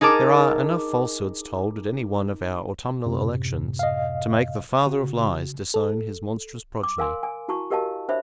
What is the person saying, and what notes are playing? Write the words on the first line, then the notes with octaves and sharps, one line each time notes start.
There are enough falsehoods told at any one of our autumnal elections to make the "Father of Lies" disown his monstrous progeny.
D#4 G#4 A#4 A5 D6
F#2 A2 C3
D#5 F5
C#3 F#4
A4
D6
A#4 F5 G#5 C6
G#5
E4 F#4 A5 A#5 C#6
G4 A#4 D#5 F5 A5
D4 C5 C#5 E5 B5